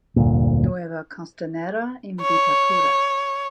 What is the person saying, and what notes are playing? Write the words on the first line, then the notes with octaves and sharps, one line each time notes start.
Nueva Costanera in Vitacura.
F1 D2 G2 A#2
C#5